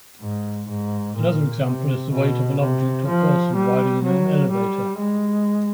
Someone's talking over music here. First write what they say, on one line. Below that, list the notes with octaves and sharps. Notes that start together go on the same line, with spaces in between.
Another example is the weight of an object or person riding in an elevator.
G#2
G#2
A#2
C3
B2
C3
F3
G3
F#3
G3
G#3